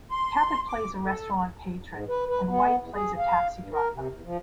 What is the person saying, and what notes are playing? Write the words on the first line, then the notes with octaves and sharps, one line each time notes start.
Cabot plays a restaurant patron and White plays a taxi driver.
C6
D6
A4
G#2
B4
B4
B3
E2
G#4
F5
G2
A#4
C3
E2
F3